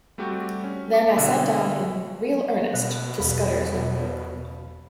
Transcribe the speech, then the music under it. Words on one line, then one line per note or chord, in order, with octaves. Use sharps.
Then I sat down in real earnest to Scudder’s note-book.
G3 A3 C4 F#4 G4
C#4
A5 D6
B2 D3
B2 F#6
E2 F5 B5